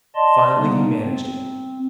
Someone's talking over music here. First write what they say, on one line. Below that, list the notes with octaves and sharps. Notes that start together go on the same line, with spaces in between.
Finally he managed it.
D5 D#5 A5 C6
G3 A#3 B3 D#4
C4